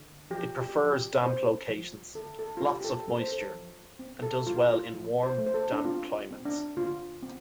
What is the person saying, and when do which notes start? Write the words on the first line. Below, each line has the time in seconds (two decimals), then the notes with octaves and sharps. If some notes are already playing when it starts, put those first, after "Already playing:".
It prefers damp locations, lots of moisture, and does well in warm, damp climates.
Already playing: D3
0.30 F3 G4
0.62 G4
0.77 F3
0.92 G4
1.23 C4 C5
1.69 F3
2.15 D3 A4
2.39 A4
2.57 F4
2.61 G3 G4
2.81 G4
2.84 A4
3.08 C4 A4
3.19 C5
3.32 A4
3.54 F3
3.99 C4
4.22 A4
4.46 G3 F4
4.68 F4
4.93 F3
5.23 C5
5.38 A3
5.46 C5
5.54 A4
5.72 D4
5.85 C4 F4
6.31 C4
6.45 D4
6.77 D3 F4
7.23 C4